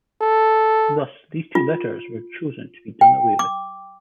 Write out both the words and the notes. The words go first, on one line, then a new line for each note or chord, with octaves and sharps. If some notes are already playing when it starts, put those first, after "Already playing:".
Thus these two letters were chosen to be done away with.
A4
F4
G5
D6